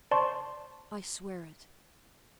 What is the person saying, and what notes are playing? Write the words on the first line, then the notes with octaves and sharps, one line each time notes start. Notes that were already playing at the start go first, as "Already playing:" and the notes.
"I swear it."
C5 D5 A5 C6 C#6